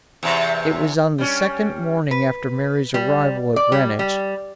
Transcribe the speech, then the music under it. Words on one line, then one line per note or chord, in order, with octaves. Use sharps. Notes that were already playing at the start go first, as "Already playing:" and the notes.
It was on the second morning after Mary's arrival at Greenwich.
E2 C3
G3 C#4
B4
G3
D5
G3
G3